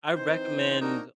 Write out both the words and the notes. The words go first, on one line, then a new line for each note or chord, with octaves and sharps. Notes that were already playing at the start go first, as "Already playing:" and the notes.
I recommend,
E3 C4 D#4 C5
A#3 C4 D4 D#4 F#4 A#4